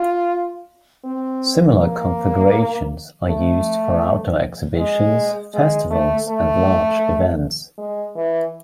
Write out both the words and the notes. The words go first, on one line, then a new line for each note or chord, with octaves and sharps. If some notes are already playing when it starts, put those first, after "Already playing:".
Similar configurations are used for outdoor exhibitions, festivals and large events.
Already playing: F4
C4
A#3
A3
G#3
G#3
A3
A3
G#3
E3